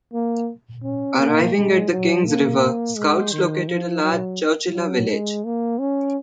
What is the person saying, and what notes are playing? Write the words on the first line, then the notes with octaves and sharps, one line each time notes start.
Arriving at the King's River, scouts located a large Chowchilla village.
A#3
C#4
A#3
G#3
F#3
A#3
G#3
D#3
F3
F#3
F#3
G#3
A#3
C#4